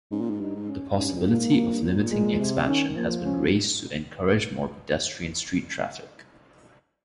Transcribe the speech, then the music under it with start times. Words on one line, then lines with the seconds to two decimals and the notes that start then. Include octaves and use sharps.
The possibility of limiting expansion has been raised to encourage more pedestrian street traffic.
0.11 G#2 C#4
0.21 A#2
0.30 G#2
0.40 G2 D#4
0.54 G#2
0.68 C#4
0.97 G#2 C#4
1.06 G2
1.16 F2
1.25 G2 A#3
1.35 A#2
1.39 G#2
1.54 G2
1.63 F2
1.73 G2
1.82 A#2
2.11 G#3
2.40 C3
2.67 D#3 C#4
2.96 F3 A#3
3.25 C#4